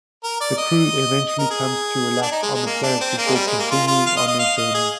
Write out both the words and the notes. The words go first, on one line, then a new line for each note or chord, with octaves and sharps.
The crew eventually comes to relax on the planet before continuing on their journey.
A#4
D5
D#5
D#5
A#4
G#4
D4
D#4
G#3
G#3
A#3
D4
C4
A#3
G#3
G3
G#3
A#3
F4
F4
F5
D#5
D#5
F5
D#5
G#4